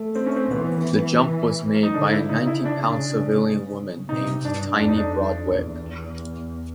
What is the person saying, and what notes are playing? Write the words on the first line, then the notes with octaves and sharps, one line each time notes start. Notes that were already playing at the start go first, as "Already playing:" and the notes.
The jump was made by a ninety-pound civilian woman named Tiny Broadwick.
Already playing: A3
C4
C#4
C4
E3 B3
D#4
D3 D4
E4
C#3 D#4
E4
D4
C3 D#4
G2 D4
F2 D4
D#4
D4
E2